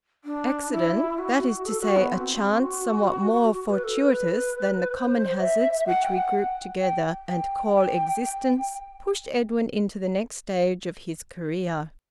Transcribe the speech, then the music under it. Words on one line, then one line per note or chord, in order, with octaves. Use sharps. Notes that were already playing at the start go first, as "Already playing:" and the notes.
Accident--that is to say, a chance somewhat more fortuitous than the common hazards which we group together and call existence--pushed Edwin into the next stage of his career.
D4
E4
F#4
A4
F#4
B3
C4
F#4
B4
A4
B4
C5
D5
E5
F#5
G5
F#5
G5
G5
G5
G5